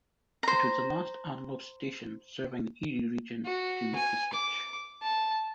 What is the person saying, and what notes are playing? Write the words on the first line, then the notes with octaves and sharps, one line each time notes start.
It was the last analog station serving the Erie region to make the switch.
C5 A#5
F#4
G#5
D6
A5